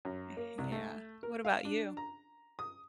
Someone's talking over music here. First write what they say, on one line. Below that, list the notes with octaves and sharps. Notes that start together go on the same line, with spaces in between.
y-yeah, what about you?
F#2
A#3
C2
A3
A#4
F5
D4
A#5
D#6